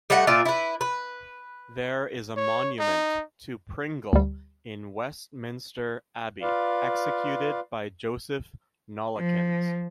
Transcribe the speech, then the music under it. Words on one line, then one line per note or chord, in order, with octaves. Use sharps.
There is a monument to Pringle in Westminster Abbey, executed by Joseph Nollekens.
G3 A3 D#5 F#5
A#2 F4 D5 E5
E4 B4
B4
C#5
D#4
D2 G3
F4 B4 D5 F5
F3